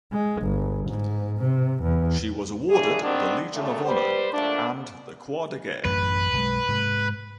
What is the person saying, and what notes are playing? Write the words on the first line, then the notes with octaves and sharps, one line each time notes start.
She was awarded the Legion of Honour and the "Croix de Guerre".
G#3
G1
G#2
C3
E2
D#2 E3 D4 G#4
D#3 B3 C4 D4
F#2 A#2 C#3 A3
G3 B4 C5
A#2 D3 A3 D4
A1 F#2 A3 B4
B1 G#3
G#2 C3